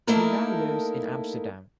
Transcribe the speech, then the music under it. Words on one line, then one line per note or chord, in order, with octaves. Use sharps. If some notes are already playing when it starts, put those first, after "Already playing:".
He now lives in Amsterdam.
A3 A#3 D#4 E4 A4 A#4